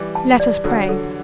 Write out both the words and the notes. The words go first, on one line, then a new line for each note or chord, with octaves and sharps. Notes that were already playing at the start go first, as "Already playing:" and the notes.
"Let us pray."
Already playing: E3 G3
A5
D5
D3 F#3 A4
A4